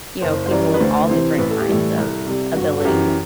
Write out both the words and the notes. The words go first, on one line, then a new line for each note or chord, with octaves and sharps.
you know, people of all different kinds of abilities.
F#1 C5
C5
F#2 E3 G3 D5
B4
D2 C5
C3 E3 C5
A1 B4
A4
G4
A2 E3 G3 A4
C2
C3 G3
G1 F#4
A4
F#2 E3 G4